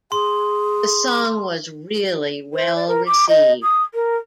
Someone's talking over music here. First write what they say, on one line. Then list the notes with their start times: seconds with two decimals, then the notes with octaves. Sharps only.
The song was really well received.
0.12 G#4 C6
2.54 C5
2.76 D5
2.88 A#4
3.06 D6
3.29 D#5
3.62 D#6
3.94 A#4